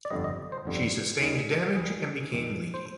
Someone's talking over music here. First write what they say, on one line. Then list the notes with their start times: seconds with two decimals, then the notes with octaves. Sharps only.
She sustained damage and became leaky.
0.05 D5
0.10 G1 F2 D3 G3 D#5
0.24 D#5
0.52 C5
0.65 G1 F2 D3 G3
1.20 D#2 D#3 G3
1.75 D#2 D#3 G3 G#4
2.31 F2 D#3 G3
2.74 C5